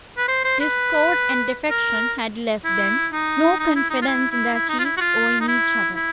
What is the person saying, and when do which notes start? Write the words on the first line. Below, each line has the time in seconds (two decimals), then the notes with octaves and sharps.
Discord and defection had left them no confidence in their chiefs or in each other.
0.18 B4
0.28 C5
0.44 C5
0.61 B4
1.71 A#4
2.65 E4
3.12 D#4
3.59 D#4
3.76 E4
3.90 D#4
4.02 F4
4.07 E4
4.31 E4
4.54 E4
4.69 D#4
4.79 F4
4.85 E4
4.97 F#4
5.01 F4
5.41 D#4
5.48 E4
5.96 E4